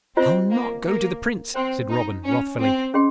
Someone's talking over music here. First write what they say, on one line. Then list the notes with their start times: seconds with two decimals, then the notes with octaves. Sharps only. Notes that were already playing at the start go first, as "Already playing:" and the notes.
"I'll not go to the Prince," said Robin, wrathfully.
0.17 C4 F4 C5 D#5
0.51 A#3
0.86 A#3
1.55 C4 C5 G5 C6
1.90 D#4
2.24 C#4
2.59 C4
2.94 C#4 G#4 D#5 G5 C6